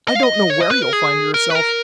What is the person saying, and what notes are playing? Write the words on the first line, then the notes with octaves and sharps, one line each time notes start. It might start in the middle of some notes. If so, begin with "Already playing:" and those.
I don't know where you'll find yourself.
D#5
F5
D#5
C#5
D#5
B4
A#4
G#4
A#4
B4
A#4